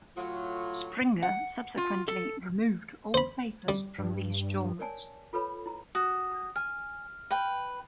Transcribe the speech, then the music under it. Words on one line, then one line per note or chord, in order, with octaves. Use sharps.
Springer subsequently removed all the papers from these journals.
A2 F#3 F4
F#5
F4
A4
C5 B5
G3
G2
A#4 C#5 D5 G#5 A5
F4 A4 B4 C#5 B5
E4 A#5
F#4 D#6
G#5 F6
B4 G5